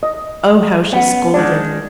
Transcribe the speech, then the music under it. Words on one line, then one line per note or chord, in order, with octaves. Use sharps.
Oh, how she scolded.
D#5
B3 C#4 F#5
D#3 G#3 D4 D5